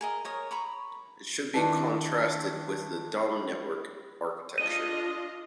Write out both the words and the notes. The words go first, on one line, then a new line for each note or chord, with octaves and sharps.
It should be contrasted with the dumb network architecture.
G#4 A#4 D#5
A#4 C#5 D#6
A#5 B5 C#6
D#3 D4 E4 B4 A5
D4 F4 D#5 D#7